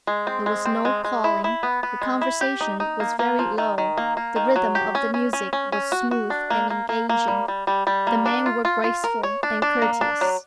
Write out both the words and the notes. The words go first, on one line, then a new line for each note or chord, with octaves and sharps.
There was no calling, the conversation was very low, the rhythm of the music was smooth and engaging, the men were graceful and courteous.
G#3
C4
G#3
C4
G#3
G#3
E4
E4
B3
B3
G#3
E4
G4
D#4
D#4
A#3
A#3
F3
D#3
D#3
A#3
A#3
D#3
F#3
G4
C#4
C#4
C#4
C#4
C#4
F#4
F#4
D4
A#3
A#3
A#3
A#3
G3
G3
G3
G3
A#3
D4
F4
F4
F4
A#4
C#5
D4
D4
A#3
D4
F#3